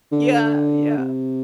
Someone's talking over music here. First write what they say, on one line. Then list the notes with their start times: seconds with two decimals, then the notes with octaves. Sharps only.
Yeah, yeah.
0.12 D3
0.98 C3